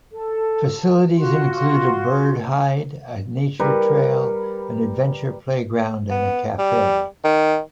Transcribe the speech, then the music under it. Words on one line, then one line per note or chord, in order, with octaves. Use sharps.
Facilities include a bird hide, a nature trail, an adventure playground and a cafe.
A4
F4 F#4 C6
G3 A#4 B4
B3
G3
D#3